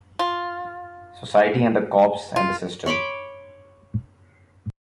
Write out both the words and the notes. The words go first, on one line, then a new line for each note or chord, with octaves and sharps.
Society, and the cops, and the system!
F4
F4
C#5 B5 C6 D6